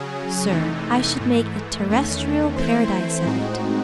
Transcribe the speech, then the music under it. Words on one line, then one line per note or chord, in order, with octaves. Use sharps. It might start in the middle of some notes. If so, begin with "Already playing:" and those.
"Sir, I should make a terrestrial paradise of it."
Already playing: C#3 F#3 C#4 G#4
E2 C3 E3 A3 D#4
G#2 E3 A3
E2 D#3 A3 C#4
E3 A3 C4 E4 C5
A2 G#3 C4 D#4 F#4